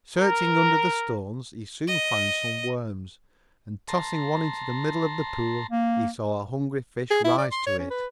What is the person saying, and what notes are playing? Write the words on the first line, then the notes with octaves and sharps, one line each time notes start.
Searching under the stones he soon found some worms, and, tossing one into the middle of the pool, he saw a hungry fish rise to it.
A#4
D#5
A5 A#5 C6
A#3
G#4
E4
D5
C6
C#5
C#4
B4